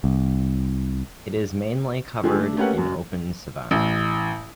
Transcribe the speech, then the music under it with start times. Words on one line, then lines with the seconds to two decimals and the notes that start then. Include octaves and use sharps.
It is mainly covered in open savanna.
0.04 C2
2.23 D3 F3 G#3 G4 G#4
2.39 A3 D4
2.57 A3 A#3 C#4 G4 B4 F#5
2.73 F#2 F#4
3.71 A1